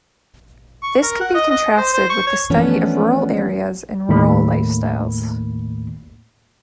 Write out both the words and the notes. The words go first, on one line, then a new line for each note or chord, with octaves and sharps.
This can be contrasted with the study of rural areas and rural lifestyles.
C#6
A#4
F#5
D#5
D#5
C5
C5
C#6
C#5
E3 F3 A3 B3 C#4 D4
D#2 A2 D#3 A3 A#3 B5